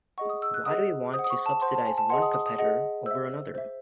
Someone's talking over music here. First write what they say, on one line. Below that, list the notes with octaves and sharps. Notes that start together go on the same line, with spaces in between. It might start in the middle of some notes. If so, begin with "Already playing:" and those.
Why do we want to subsidize one competitor over another?
G#4 D#5 F#5 C#6
D#6
E6
F#6
G#4 D#5 F#5 D#6
C5 D#6
F#5
D#6
C#6
A5
C5 F#5 C6
A5
G#5
A5
G#4 D#5 F#5 C6
D#6
D#6
D#6
G#4 D#5 F#5
C5 E5 E6
C5 E5